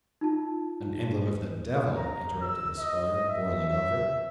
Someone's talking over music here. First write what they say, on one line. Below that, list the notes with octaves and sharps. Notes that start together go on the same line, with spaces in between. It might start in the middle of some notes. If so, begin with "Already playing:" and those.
"An emblem of the devil," interrupted the squire, boiling over.
D#4 F4 A5
A#5
E6
D#5
E5
E5